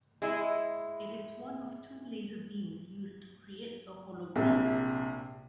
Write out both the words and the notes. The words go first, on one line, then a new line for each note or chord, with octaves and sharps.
It is one of two laser beams used to create a hologram.
G#3 E4
A#1 C3